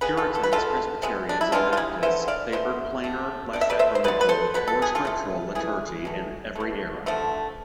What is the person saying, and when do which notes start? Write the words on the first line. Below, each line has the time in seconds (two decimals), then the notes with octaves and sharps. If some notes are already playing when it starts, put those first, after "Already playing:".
Puritans, Presbyterians and Baptists favoured plainer, less sacramental, more scriptural liturgy in every era.
0.01 D3 G#3 B3 G#4 B4
0.17 F4 A4
0.35 A4
0.43 B4
0.52 D3 G#3 B3 F4 A4
1.02 C3 G#3 B3
1.29 D4
1.41 E4
1.52 C3 G#3 B3 D4 F4
1.73 F4
1.77 E4 G#4
2.03 D3 G#3 B3 C5 E5
2.28 D5 F5
2.52 D3 G#3 B3 C5 E5
3.04 D3 A3
3.53 D3 A3 D5
3.61 E5
3.70 B4 D5
3.79 C5 E5
3.95 C5
4.04 B2 B3 B4 D5
4.21 B4
4.29 A4 C5
4.54 B2 B3 B4
4.68 A4
4.82 G#4
4.95 F4 A4
5.05 E3 A3
5.55 E3 A3 E4 G#4
6.05 B2 A3
6.56 B2 A3
7.06 D3 F3 A3